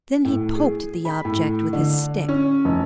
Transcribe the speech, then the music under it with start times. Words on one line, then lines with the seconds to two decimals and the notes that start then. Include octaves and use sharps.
Then he poked the object with his stick.
0.25 A2
0.55 G#4
1.05 B5
1.25 A2
1.73 D3
2.29 C#4
2.65 F1